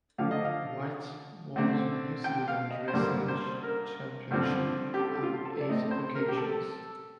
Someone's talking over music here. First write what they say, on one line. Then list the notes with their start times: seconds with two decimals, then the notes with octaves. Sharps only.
White won the New Zealand dressage championship on eight occasions.
0.18 D3 F3 A3 F5
0.31 D#5
0.44 F5
1.56 D3 A3 C4
2.24 G5
2.48 F5
2.71 D#5
2.88 C5
2.93 G2 D3 G3 A#3 D5
3.28 C5
3.63 A#4
4.31 G2 D3 F3 C4
4.94 G4
4.99 A4
5.14 G4
5.23 F4
5.45 A4
5.61 D5
5.69 A2 A3 C4 D#5
5.91 C5
6.15 A#4
6.28 G4
6.37 A4